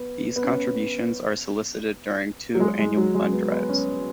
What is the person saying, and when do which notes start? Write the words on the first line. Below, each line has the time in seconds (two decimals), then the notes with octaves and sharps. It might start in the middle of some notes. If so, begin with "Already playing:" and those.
These contributions are solicited during two annual fund drives.
Already playing: B3
0.36 B3
0.44 C#4
2.55 F#3
2.60 G#3
2.79 G#3
2.97 F#3
3.15 G#3
3.33 B3
3.51 B3
3.69 C#4